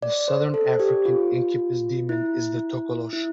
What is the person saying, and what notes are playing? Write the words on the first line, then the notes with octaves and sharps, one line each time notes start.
The Southern African incubus demon is the Tokolosh.
D5
C5
A4
G4
F4
E4
E4